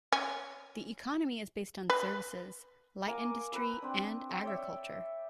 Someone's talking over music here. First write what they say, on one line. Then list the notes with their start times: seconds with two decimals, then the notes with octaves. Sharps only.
The economy is based on services, light industry and agriculture.
0.13 C#4
1.90 B4
3.07 A#3 G#5 A#5 D6
3.52 B4 A#5 B5 E6
3.82 C4 D4
4.29 G5 E6
4.43 C#5 D5 E5